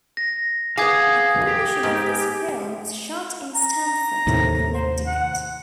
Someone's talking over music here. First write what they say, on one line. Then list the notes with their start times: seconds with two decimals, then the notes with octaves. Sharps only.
A portion of this film was shot in Stamford, Connecticut.
0.17 A#6
0.77 B3 G#4 F5 D6 D#6 G#6
1.47 G4
1.83 G#2
3.55 A#5
4.27 D#2 A2 C3
4.74 C5
5.06 F#5